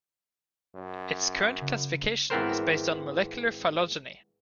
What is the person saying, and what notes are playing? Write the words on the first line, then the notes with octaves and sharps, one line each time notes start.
Its current classification is based on molecular phylogeny.
F#2
C#3
G#1 E3 B3 C4 A#4 C5